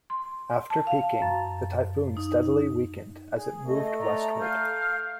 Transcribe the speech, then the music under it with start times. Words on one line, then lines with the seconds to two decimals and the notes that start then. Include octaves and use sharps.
After peaking, the typhoon steadily weakened as it moved westward.
0.10 C6
0.70 A5
0.87 F5
1.22 F#2
2.17 D#4
3.33 G#4
3.66 A3 D#5
3.99 D5 D#5 A#5
4.40 F5 F6 G6